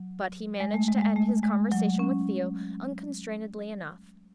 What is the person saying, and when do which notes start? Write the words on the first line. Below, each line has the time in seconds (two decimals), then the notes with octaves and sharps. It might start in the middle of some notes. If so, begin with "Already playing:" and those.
But he managed to end his conversation with Theo unconstrainedly enough.
Already playing: F#3
0.60 G#3
0.74 A3
0.88 G#3
1.02 G#3
1.16 A3
1.43 G#3
1.72 F#3
1.99 C#4